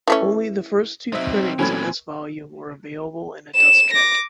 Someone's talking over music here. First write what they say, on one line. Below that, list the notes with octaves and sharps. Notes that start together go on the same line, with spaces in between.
Only the first two printings of this volume were available in a dust jacket.
E3 A3 C#4
F#3 C4 D#4 C5 E5
A#2 E3 F#3 A3 C#4 G#5 B5 G#6
E7
D6 A#6